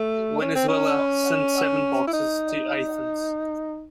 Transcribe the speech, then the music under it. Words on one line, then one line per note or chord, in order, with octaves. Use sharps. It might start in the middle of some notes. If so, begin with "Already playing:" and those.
Venezuela sent seven boxers to Athens.
Already playing: A3
C#4
C4
C#4
E4
D#4